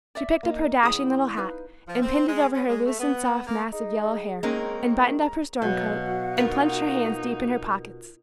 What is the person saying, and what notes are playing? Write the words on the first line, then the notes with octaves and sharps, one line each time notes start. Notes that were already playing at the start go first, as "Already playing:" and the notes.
She picked up her dashing little hat, and pinned it over her loosened soft mass of yellow hair, and buttoned up her storm coat, and plunged her hands deep in her pockets.
D5 E5
A#3 D#4
E2 G#4 B5 D#6
D#4 B4 F5
F3
C4
G#3
C#4
G#3
A3
B3
A#3
D#4 G#4
D#3 G#3 A#3 C4 C#4 D#4 A#4
A#5
B2 F#3 F#4 F5 F#5
D#4 F4 A#4 B4